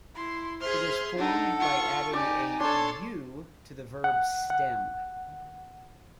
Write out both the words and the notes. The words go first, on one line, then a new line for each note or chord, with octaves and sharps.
It is formed by adding a -u to the verb stem.
E4 C6
G#4 C5 E5 C6 F6
D4 D#4 A4 F#5
F4 C#6
D#4 G4 D5 G#5
D4 A4 C#5 C6
F#5
F#5